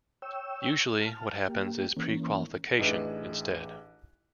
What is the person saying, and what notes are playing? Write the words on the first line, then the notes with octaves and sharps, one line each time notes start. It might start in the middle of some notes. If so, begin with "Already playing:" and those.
Usually, what happens is pre-qualification, instead.
C#5 G5 E6
A5 F6
A#3 G4
E3 A#3 C#4
A1 D4 D#4 G#4 B4 F#6